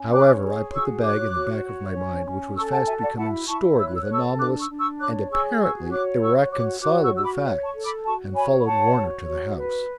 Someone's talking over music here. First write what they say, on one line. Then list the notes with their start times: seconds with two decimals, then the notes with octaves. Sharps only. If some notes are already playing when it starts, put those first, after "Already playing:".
However, I put the bag in the back of my mind, which was fast becoming stored with anomalous and apparently irreconcilable facts, and followed Warner to the house.
Already playing: C#4
0.12 C#5 D6 F#6
0.42 G#4
0.73 F#4 C#6 E6
1.03 C#5 D6 F#6
1.34 F#4
1.64 C#5
1.96 C#4
2.25 C#4
2.56 A4 C#6 E6
2.71 F#5 A5
2.87 F#4 E5 G#5
3.01 D5 F#5
3.17 E4 F#5 A5
3.47 E4 A5 C#6
3.78 C#5 E6
3.86 F#6
3.95 E6
4.03 F#6
4.09 A4 C#6 E6
4.39 D4 D6 F#6
4.59 C#6 E6
4.70 D4
4.79 C#6 E6
5.00 C#5 D6 F#6
5.30 G#4 C#6 E6
5.61 F#4 C#6 E6
5.91 C#5 D6 F#6
6.21 F#4 C#6 E6
6.52 C#5 D6 F#6
6.82 F#4 D6 F#6
7.03 C#6 E6
7.13 F#4 E6
7.23 B5 D6
7.43 C#5
7.63 A5 C#6
7.74 A4
7.84 B5 D6
8.04 F#4 A5 C#6
8.35 C#5 G#5 B5
8.60 B5
8.65 F#4 F#5 A5
8.96 C#5
9.26 F#4
9.57 B4